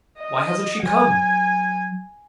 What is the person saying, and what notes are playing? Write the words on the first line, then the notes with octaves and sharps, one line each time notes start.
'Why hasn't she come?
D#5
F#3 G#5